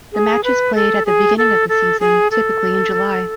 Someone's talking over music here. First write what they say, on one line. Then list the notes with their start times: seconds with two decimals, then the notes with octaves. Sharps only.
The match is played at the beginning of the season, typically in July.
0.13 G#4
0.44 B4
0.75 A4
1.06 G#4
1.38 A4
1.69 A4
2.00 G#4
2.31 A4